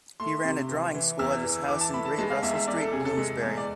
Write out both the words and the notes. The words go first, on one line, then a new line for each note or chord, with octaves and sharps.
He ran a drawing school at his house in Great Russell Street, Bloomsbury.
A3 C6
C3
E3
E3
E2 E6
E3
E3 D6
A5
A3 B5
A5
G#3 A5
F5
E2 E5
E5
E2 D5
A4
C3 G#4
A4
G#3
E2
D5